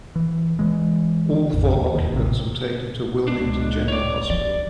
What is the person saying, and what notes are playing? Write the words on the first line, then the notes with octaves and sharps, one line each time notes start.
All four occupants were taken to Wilmington General Hospital.
E3
E3 G#3
A1 F2 G#2
D#2
E1 D#2 D#3
A1 C3
C#2 D4
C#5 D5
F3 D5